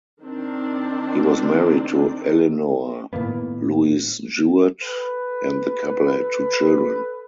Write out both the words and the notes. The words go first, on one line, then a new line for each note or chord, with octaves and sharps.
He was married to Eleanor Louise Jewett and the couple had two children.
D#3 C4 D4
A2 D#3 A#3 B3
A4 B4